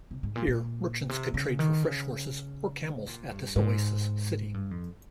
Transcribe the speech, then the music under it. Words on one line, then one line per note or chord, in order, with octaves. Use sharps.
Here merchants could trade for fresh horses or camels at this oasis city.
C3
G#2
A#2
A#2
C3
C#3
D#3
C#3
A#2
G2
G#2
G2
F2